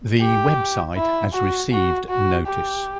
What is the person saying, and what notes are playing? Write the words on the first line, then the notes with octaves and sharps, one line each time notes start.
The web site has received notice.
G4
E4
F#4
F#4
F#4
G4